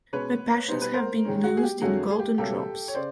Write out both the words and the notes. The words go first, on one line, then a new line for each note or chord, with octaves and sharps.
My passions have been loosed in golden drops.
B2 G#3 C#4 B4 C#5
B2 G3 B3 D#4 C5
B4
A#4 C5
G#2 D#3 G#3 C#4
F#4
G#4
G4
F2 D3 F#3 A3 F#4 G#4
G#4
G4
C2 A#2 F#3 A#3 G4 A4
C#5
C#3 C5 D5